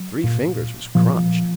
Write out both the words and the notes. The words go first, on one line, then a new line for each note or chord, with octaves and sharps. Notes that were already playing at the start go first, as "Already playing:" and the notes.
Three fingers was crunched.
Already playing: F#3
A#2
A#2 F3